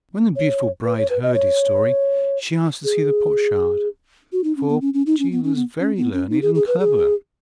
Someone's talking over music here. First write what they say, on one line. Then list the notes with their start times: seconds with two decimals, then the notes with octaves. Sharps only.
When the beautiful bride heard his story, she asked to see the potsherd, for she was very learned and clever.
0.36 C#5
0.85 B4
0.98 C#5
1.10 B4
1.23 D#5
1.34 C#5
2.84 G#4
4.32 F#4
4.44 D#4
4.57 C#4
4.69 B3
4.81 C#4
4.94 C#4
5.06 D#4
5.19 C#4
5.32 B3
5.44 C#4
5.55 B3
5.80 C#4
5.97 B3
6.13 C#4
6.30 D#4
6.42 G#4
6.55 G#4
6.67 B4
6.80 G#4